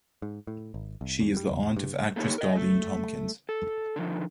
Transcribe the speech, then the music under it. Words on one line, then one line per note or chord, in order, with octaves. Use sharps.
She is the aunt of actress Darlene Tompkins.
G#2
A2
G#1
C2
E2
G3
E2
G2
A3 A#3 D4 D#4 G4 C#5
A#4 D#5
A3
A4
D3 D#3 F3